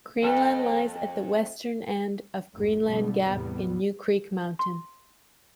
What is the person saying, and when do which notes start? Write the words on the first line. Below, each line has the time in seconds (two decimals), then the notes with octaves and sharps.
Greenland lies at the western end of Greenland Gap in New Creek Mountain.
0.22 F2 A4
2.54 F1 C2 G#2
2.83 G1 G2 B2 D3 A3 B3
3.26 E2 A2 C3 G3 B3 C4
4.59 C6